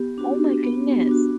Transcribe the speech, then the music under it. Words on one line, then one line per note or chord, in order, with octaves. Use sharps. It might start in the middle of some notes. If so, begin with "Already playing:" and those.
Oh, my goodness.
Already playing: B3 G4
D4 F#4
B3
D4 F#4